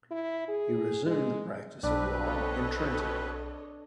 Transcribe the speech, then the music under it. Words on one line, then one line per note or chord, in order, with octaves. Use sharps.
He resumed the practice of law in Trenton.
E4
G#4
G#3
B1 B2 C4 D4 B4
A4 C#5 D#5